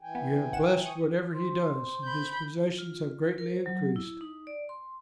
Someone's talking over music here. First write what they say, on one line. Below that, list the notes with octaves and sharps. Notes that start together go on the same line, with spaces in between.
You have blessed whatever he does, and his possessions have greatly increased.
E3 G5 G#5
B3
A#1 F#5 E7
C#6 D#6
G#2
C5
B5 G6
F4
A#4
C5
F#3
E4
D#4
D5
C6